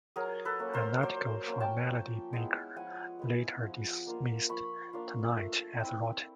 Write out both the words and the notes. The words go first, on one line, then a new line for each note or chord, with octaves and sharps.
An article for "Melody Maker" later dismissed "Tonight" as "rotten".
F#3 G#4 A#4
A4 B4
A#3 C#4
A#4 C5
F#3 C5 D5
A#3 C#4
G5 A5
F3
G#3 B3 E4
F3 F#5 G#5
G#3 B3 E4
F3
A#3 D4 F4
F3 B5 C#6
A#3 D4 F4
A3
C4 E4